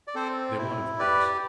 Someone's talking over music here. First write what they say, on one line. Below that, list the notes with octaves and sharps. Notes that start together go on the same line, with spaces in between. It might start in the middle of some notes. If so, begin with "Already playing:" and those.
They won, of course.
D5
C4 A4 C5
E4
G4 B4 D5